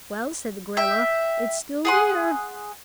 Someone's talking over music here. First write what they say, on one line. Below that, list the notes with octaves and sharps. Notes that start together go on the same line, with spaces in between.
"Well," said the gorilla, "it's still there!"
E5 G5
G#4 F#5 C6